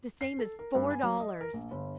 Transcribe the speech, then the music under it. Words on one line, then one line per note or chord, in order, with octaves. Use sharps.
The same as four dollars!
C7
A4
A#4
G2
G#5
F#3
D#5
A#4
A#1
G1